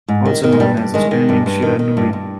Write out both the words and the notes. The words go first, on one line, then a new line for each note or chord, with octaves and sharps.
Also known as a standing "shiranui".
G#2
D#3
D#3
G#3
G2 G3
G2
D#3 G#3
D#3
G2
G2
D#3
D#3
G2
G2